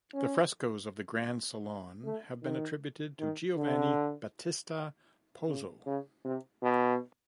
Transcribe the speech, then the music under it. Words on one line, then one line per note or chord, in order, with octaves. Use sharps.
The frescoes of the Grand Salon have been attributed to Giovanni Battista Pozzo.
C#4
A3
D#3
D#3
D3
C#3
C#3
C3
B2